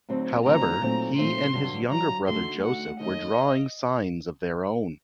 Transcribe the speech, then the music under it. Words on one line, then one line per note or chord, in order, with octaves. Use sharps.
However, he and his younger brother Joseph were drawing signs of their own.
D2 D3 F#3 C4 D#4
D2 D3 F#3 C4 D#4 A#5
A#2 F#3 A3 C4 D#4
A#2 F#3 A3 C4 D#4 C6
G2 D3 F#3
G2 D3 F#3 A#5
D3 A3 D#4 F#4 C6
D3 A3 D#4 F#4 F#5
D#2 D#3 A3 D#4 A4 D#5